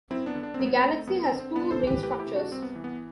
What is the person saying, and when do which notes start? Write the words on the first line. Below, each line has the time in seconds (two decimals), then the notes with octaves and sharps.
The galaxy has two ring structures.
0.10 F#2 C4 E4
0.26 B3 D4
0.35 D3
0.43 D4
0.54 F#2 C4
0.66 B3
0.76 C4
0.83 A3
1.07 F#2 B3
1.24 C4
1.32 D3
1.39 C4
1.55 C2 B3 D4
1.71 A4 C5
1.80 E3
1.87 G4 B4
2.03 A3 G4 B4
2.19 E4 G4
2.27 C3
2.35 D4 F#4
2.51 C2 C4
2.62 B3
2.76 E3
2.84 B3